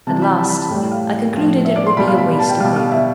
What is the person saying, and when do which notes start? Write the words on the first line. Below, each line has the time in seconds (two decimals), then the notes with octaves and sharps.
At last I concluded it would be a waste of labour.
0.07 C3 E3 G3 A5
0.22 B5
0.38 A5
0.49 B5
0.59 A5
0.70 A2 G3 G5
0.81 G5
0.91 F5
1.34 A2 F3
1.65 E5
1.76 D5
1.87 C6
1.97 B2 G3 B5
2.08 F5
2.18 B5
2.39 A5
2.49 G5
2.60 B2 G3 F5
2.76 F5
2.92 E5